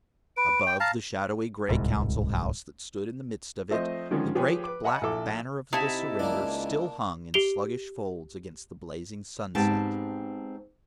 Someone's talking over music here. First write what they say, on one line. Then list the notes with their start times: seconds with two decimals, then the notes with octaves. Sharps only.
Above the shadowy grey Council House that stood in the midst of it, the great black banner of the surrender still hung in sluggish folds against the blazing sunset.
0.37 B4 D7
0.67 G5
0.80 F5 A5 A#5
1.69 D1 C2 G#2
3.71 F3 A3 C4 C5 D#5
4.11 D3 D#3 F3 G#3 C#4
4.35 F3 G4 G#4 B4 C#5
4.64 B4 D6
4.84 D#5 E5 F#5 G#5 A5 B5
5.01 A#1 E4 A4 D6
5.73 C3 D#4 E4 E5 A5
6.19 C#2 A#3 D4
7.34 G4 C7 D7 F7 G7
9.55 G#2 B3 C4 G4 G5 A5